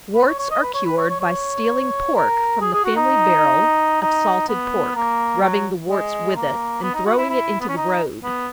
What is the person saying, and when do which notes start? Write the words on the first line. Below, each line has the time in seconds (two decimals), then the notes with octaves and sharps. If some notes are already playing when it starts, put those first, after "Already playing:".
Warts are cured by stealing pork from the family barrel of salted pork, rubbing the warts with it, and throwing it into the road.
0.15 B4
0.27 C#5
0.39 C#5
0.50 D#5
0.63 B4
0.74 C#5
0.86 B4
0.97 C#5
1.09 C#5
1.20 C#5
2.15 A#4
2.61 G#4
2.73 G#4
2.85 F#4
2.96 D#4
4.02 D#4
4.49 B3
4.95 A#3
5.42 F#3
5.89 G#3
6.36 A#3
6.82 B3
6.94 D#4
7.06 F#4
7.18 E4
7.29 E4
7.60 B3
7.68 C#4
7.77 D#4
8.23 B3